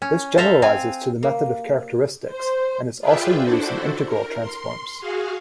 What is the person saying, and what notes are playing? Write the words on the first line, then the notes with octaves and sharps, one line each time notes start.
This generalizes to the method of characteristics, and is also used in integral transforms.
C#4
A4 C5 E5 F5 A#5
C4 F5 G#5
A#3
C5
F4 G#4 B4 D5 E5 G5
D4 E4 F#4 A4 C5
A#4
C6
F#4 G#4 F5